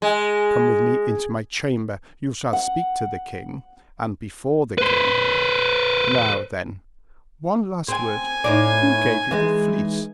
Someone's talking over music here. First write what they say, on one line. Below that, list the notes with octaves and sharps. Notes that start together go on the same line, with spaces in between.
Come with me into my chamber; you shall speak to the king--and before the king.--Now, then, one last word: who gave you the Fleece?
G#3
F#5
B4 C5
C4 G#5
A2 D#4 D5
E3 G#3 D#4